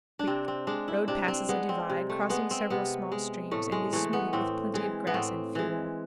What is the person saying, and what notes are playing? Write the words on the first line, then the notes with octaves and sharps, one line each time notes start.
Creek.--Road passes a divide, crossing several small streams, and is smooth, with plenty of grass and fuel.
D4
C3 C4
C4
G#3 D4
E4
C3 D4
C4
G#3 B3
C4
C3
A3
G#3 B3
C4
C3 B3
G#3
A2 A3
G#3
E3 G#3 A3
B3
A2 C4
E3 G#3
B3
A2 C4
E3 G#3